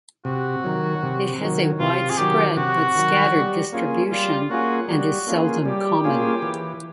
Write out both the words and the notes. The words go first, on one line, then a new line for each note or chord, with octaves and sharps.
It has a widespread but scattered distribution and is seldom common.
C3 F#4
D#3 F#3
C3
D#3 F#3
C3 F4
G#4
D#3 F#3 G4
C3 F#4
D#3 F#3
G3
A#3 C#4 F4 G#4
G3 F4
A#3 C#4 F4 F#4 G#4
G3 F#4
A#3 C#4 F4 G#4
G3 G4
A#3 C#4 F4 G#4
E3